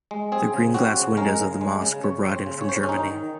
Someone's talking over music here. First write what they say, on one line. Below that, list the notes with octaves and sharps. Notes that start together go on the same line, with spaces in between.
The green glass windows of the mosque were brought in from Germany.
G#3
C4 G#4
C#3
C4 F#4
C#3
G#3 A#4
C#3
G#3
C#3
C#3 C#5
C4
C5
C#3
C#5
C#3 C5
C#5
C#4
D#3 D#4
D#3